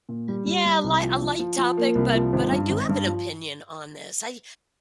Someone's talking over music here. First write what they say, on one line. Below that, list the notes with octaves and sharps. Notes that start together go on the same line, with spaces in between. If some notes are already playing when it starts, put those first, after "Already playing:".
Yeah, li a light topic, but but I do have an opinion on this. I
A#2
G3
G3
G3
C2
F3
F3
F3
F3
A#3
C2
F3
G#1
G2
G#1
G2
F3